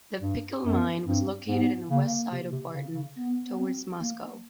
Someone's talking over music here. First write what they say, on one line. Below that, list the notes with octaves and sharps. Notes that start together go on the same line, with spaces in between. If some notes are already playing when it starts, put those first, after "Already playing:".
The Pickell Mine was located on the west side of Barton towards Moscow.
G2
F#2 B3
G2 C4
G#2 B3
C#3 A#3
C3
C3
C#3
C#3
B3
B3
C4
A#3